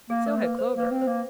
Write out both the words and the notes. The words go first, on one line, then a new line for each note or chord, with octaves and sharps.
So had Clover.
A#3 G#4
A3 A#4
A#3 B4
C5
A#3
B4
C4
C5
A#3